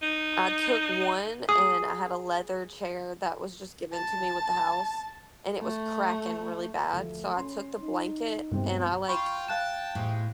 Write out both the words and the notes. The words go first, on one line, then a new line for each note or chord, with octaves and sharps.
I took one and I had a leather chair that was just given to me with the house, and it was cracking really bad. So I took the blanket and I like
D#4
G#4 D#6
A5
A3
D2 F3 A3
C#4 C6
D#4
E1 G2 C4 G4
F4 G5 B5 C#6
F5 A5 F#6 E7
A2 C3 G#3